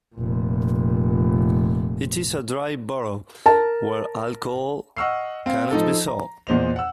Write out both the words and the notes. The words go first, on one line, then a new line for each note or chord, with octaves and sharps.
It is a dry borough, where alcohol cannot be sold.
F1 A#2
A#4 A5
D#5 F#5 C#6 E6 F6 C7
C4 F5
F3 D#4 A4
A#5
E2 A#2 C5 D#5 F7
F#5 E6